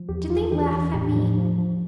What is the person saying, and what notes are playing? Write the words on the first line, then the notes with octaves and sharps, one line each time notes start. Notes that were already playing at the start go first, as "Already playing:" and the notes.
"Did they laugh at me?"
Already playing: F3
E2 G4
E2 F4
E3 G4
E2
A2 G4
F3
F3
F3